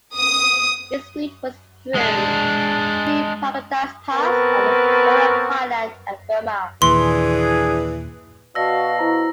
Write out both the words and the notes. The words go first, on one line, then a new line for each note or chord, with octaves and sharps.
Its route was through Three Pagodas Pass on the border of Thailand and Burma.
D#6
G#3 D4
B3 C4 A#4 B4 A5 C#6
D#2 A#2 E3 D4 G#4 C6
B2 F#4 D5 F5 A5 E6 A#6
E4 C5 A#5